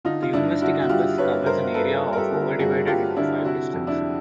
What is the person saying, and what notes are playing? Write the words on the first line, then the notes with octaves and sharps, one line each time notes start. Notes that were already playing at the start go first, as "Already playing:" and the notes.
The University campus covers an area of over divided into five districts.
D3 D#4 F4
F4
G2 D4 E4
D3 E4 F#4
F#4
G2 F4 G4
G2 B4 C#5
G2 A#4 C5
G2 A4 B4
G2
A#4
G4 A4
D3
G2 F#4 G#4
G2 F4 G4
D3 D4 E4
C3 E4 F#4
F2
D4 E4